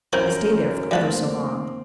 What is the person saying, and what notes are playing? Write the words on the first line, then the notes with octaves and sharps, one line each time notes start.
I stayed there for ever so long.
F#2 C4 E4 A#4 G#5 G6 F7
F1 G3 A#3 C4 B4 A5